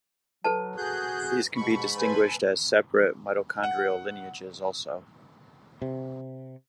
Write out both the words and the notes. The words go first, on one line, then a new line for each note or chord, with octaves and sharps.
These can be distinguished as separate mitochondrial lineages also.
F#3 A4 B4 A5
F#4 G#4 F#6 G6
G#2 B2 B5 C#6
A4 B4 C5 G#5
F#5
C3